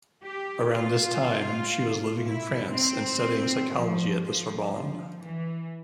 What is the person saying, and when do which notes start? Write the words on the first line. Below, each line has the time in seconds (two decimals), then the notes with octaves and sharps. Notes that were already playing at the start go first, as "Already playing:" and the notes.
Around this time she was living in France and studying psychology at the Sorbonne.
0.25 G4
0.75 F4
2.24 E4
2.74 C4
3.74 F3
4.23 F3
4.73 F3
5.24 E3